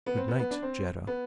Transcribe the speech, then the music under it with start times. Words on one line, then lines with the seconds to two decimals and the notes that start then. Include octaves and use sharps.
"Good night--Jetta."
0.06 B3
0.17 C4
0.28 B3
0.39 B3
0.51 D4
0.62 C4
1.07 B3